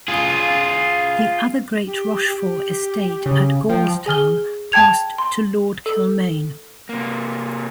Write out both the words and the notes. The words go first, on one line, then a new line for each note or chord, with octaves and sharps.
The other great Rochfort estate at Gaulstown passed to Lord Kilmaine.
F4 G#4
G4
G4
C#3
F3 G5
G#4 G#5 F6 G7
G5 A5 G#6 F7
C6
A4
C3 A#3